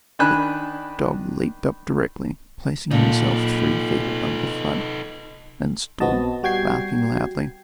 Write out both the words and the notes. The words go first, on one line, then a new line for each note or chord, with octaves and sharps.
The dog leaped up directly, placing himself three feet above the flood, and stood barking loudly.
D#3 D4 G#5 B5 F#6
A#2 D#4 A4
A#1 B3 C4 F#4 D#5 A5
G3 F#4 G5 G#6 C7